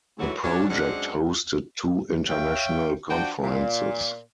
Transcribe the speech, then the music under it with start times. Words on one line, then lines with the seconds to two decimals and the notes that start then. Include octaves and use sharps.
The project hosted two international conferences.
0.19 D2 G#2 E3 F#3 F#4 A4
0.44 C#4 D4 F#4
0.70 F#2 F#3 G#3 C4 D4 F#5
2.29 C#5 E5 F5 G5
3.09 F3 D4 F#4 G5
3.43 A#2